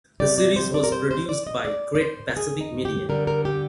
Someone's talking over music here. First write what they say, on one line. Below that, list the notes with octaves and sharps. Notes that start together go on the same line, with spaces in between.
The series was produced by Great Pacific Media.
C3 G3 D5
D5
C5
D5
A#4
C5
C5
D5
D#5
D5
D5
C5
A#4
G#4
D#4
G4
D3 G3 A#4
A#4
G4